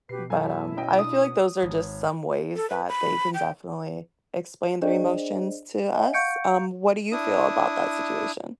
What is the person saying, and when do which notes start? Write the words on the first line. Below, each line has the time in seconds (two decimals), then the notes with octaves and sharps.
But, um, I feel like those are just some ways that they can definitely explain their emotions to us. Um, what do you feel about that situation?
0.09 B2 F#4 G4 B4 C7
0.30 F#2 E4 A4 G#5
0.77 C#4 D#5 G5
0.99 D4 D#6
1.62 G#1 C#5
2.56 A4
2.70 B4
2.88 B5
3.34 G5
4.82 D4 G#4 C5 D5 D#5
5.94 D#5 E5 F#5 G#5
6.13 F5 F#5 C#6 G6 C#7 D7
7.12 D4 E4 D#6